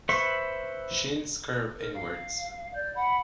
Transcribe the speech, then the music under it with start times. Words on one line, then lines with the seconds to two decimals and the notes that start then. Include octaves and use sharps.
Shins curve inwards.
0.09 B4 C5 E5 C#6
1.78 A#4
1.94 F5
2.75 D5 G6
2.95 F#5 B5